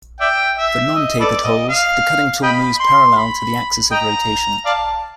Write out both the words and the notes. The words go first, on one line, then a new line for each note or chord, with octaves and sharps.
For nontapered holes, the cutting tool moves parallel to the axis of rotation.
D5 E5 G5
E5
D#5
A4 B4 D5
D#5
F5
D#5 G5 B5
C6
B5
D#5 G5 A#5
D5 F5 A5